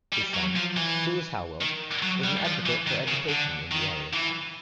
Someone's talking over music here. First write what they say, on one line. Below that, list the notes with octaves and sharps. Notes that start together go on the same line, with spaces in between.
His son, Lewis Howell, was an advocate for education in the area.
G3
F#3
F3
E3
D#3
F#3
G3
F3
E3
D#3
C#3
D3
D#3
E3